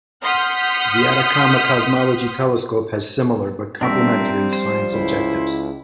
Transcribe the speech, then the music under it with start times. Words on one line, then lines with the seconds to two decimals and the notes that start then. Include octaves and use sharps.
The Atacama Cosmology Telescope has similar, but complementary, science objectives.
0.22 F#5 C6 D#6 F6 G6 B6
3.81 F3 G3 C4 D4 A#4 E5
4.53 C5
4.93 C#2 E4